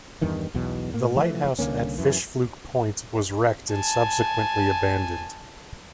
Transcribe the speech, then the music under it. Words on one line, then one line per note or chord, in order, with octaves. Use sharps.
The lighthouse at Fish Fluke Point was wrecked and subsequently abandoned.
E2 G2 D#3 E3
B1 E2 B2
A2 A#3
E3 F3 A3
C2 D3 A#3 C#4
F#2 E3
G#5 A5